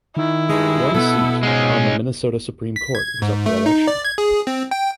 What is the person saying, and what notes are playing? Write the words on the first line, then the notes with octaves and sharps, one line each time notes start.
One seat on the Minnesota Supreme Court was up for election.
D#3 E4
G2 D#3 G#3
B2 B3 A4
G#2 G#3 C#4
B6
G#6
G#2
A3
D#4
D5
G#6
G#4
C4
G5